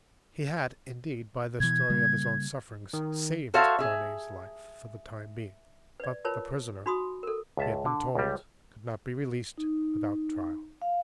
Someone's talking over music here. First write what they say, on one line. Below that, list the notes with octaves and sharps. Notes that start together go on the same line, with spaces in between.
He had, indeed, by the story of his own sufferings, saved Darnay's life for the time being, but the prisoner, he had been told, could not be released without trial.
B2 E3 G#6
C#3 G3 A#3
D#3
F#4 A4 C5 C#5 E5 F5
G#4 E5
B4 D5
F4 A#4 B4 C#5 A5
D#4 F#4 B5 C6 D#6
A4 A#4
C#2 E5 A5
D3
C#2 G3
D#4
F5